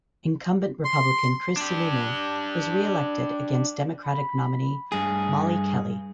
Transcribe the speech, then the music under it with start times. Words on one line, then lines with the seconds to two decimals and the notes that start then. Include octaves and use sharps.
Incumbent Republican Chris Sununu was reelected against Democratic nominee Molly Kelly.
0.85 C6
1.57 D4 G4
4.04 B5
4.92 G2 G#4